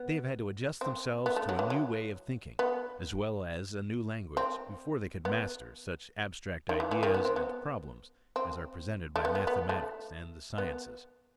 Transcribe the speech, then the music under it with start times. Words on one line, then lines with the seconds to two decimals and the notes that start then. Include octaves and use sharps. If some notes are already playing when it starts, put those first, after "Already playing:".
They have had to adjust themselves to a new way of thinking, as well as a new language, before they could master such abstract ideas and problems as are presented by mathematics and the sciences.
Already playing: B3
0.81 C4
1.26 B3
1.36 A3
1.49 F#3
1.59 E3
1.70 F#3
2.59 B3
4.37 C4
5.25 B3
6.69 D#3
6.80 E3
6.91 E3
7.03 D#3
7.14 B3
7.25 C4
7.36 B3
8.36 C4
9.16 A3
9.25 B3
9.35 B3
9.47 B3
9.69 A3
10.58 B3